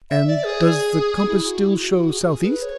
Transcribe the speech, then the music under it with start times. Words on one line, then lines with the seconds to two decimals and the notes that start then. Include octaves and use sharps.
"And does the compass still show south-east?"
0.10 E5
0.27 D5
0.44 G#4
1.28 E4
1.45 F#4
1.62 E4
1.78 F#4
1.95 F#4
2.12 G#4
2.29 G#4
2.45 B4
2.62 C#5